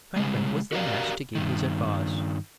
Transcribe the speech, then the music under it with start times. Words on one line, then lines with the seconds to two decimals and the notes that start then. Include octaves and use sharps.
Franklin was then asked to give his advice.
0.16 C#3 G3 G#3
0.72 F#4 G4 A#4 C#5 D5 F5
1.35 G2 D#3